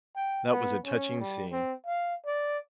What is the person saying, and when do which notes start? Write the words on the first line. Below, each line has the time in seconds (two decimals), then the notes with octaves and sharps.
That was a touching scene.
0.16 G5
0.49 B3
0.85 C#4
1.20 G3
1.52 C4
1.86 F5
2.26 D5